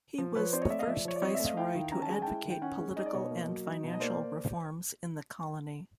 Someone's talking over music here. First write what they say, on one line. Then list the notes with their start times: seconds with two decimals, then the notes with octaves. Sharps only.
He was the first viceroy to advocate political and financial reforms in the colony.
0.18 F3
0.35 F3 B4 C#5
0.53 C4 C5 D5
0.61 C#5 D#5
0.70 A3 D5 E5
0.79 D#5 F5
0.87 F3 D5 E5
1.05 F3 C#5
1.16 D5
1.22 C4 C#5 D#5
1.34 D5 E5
1.40 A3
1.45 D#5 F5
1.57 E4 F5 G5
1.75 D#3
1.92 C#4 A#5
2.02 A5
2.09 G#3 G#5
2.22 E4 G5 A5
2.45 D#3
2.50 G5
2.62 C#4 F#5 G#5
2.79 G#3
2.96 D#4 D#5
3.06 D5
3.14 B2 C#5 D#5
3.31 A#3
3.49 F#3
3.66 D#4
3.83 B2
3.93 D#5
4.00 A#3 C5 D5